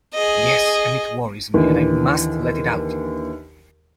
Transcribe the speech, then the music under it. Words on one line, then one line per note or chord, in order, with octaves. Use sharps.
Yes, and it worries me, and I must let it out!
G#4 D#5
D#2 D3 E3